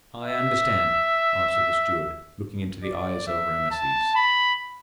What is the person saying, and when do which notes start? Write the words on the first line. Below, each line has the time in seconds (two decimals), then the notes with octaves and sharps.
"I understand," answered the steward, looking into the eyes of Rameses.
0.22 E5
2.83 D5
3.27 E5
3.71 A5
4.15 B5